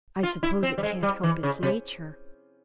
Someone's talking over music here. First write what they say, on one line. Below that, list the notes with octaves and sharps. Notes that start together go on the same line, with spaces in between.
I suppose it can't help its nature.
F4
E4
C4
G3
G#3
G3
E3
C#3
C3